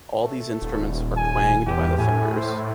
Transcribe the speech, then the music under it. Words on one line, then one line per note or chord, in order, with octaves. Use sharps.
All these instruments are twanged by the fingers.
A3
D#1
G#5
E2 G4
A2 G#5
C5